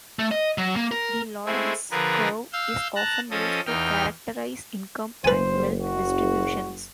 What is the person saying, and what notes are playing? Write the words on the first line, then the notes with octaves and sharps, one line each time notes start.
The Lorenz curve is often used to characterize income and wealth distributions.
A3
D#5
F#3
A#3
A#4
G#3 A3 C4 E4 G#4
D3 F3 G#4 A#4 B4
F5 E6 G6
A5 A#5 F#6
F3 C#4 A4 D#5 D#6
E2 D#4 G5 F6
F#1 B4 C5 G#5
F#4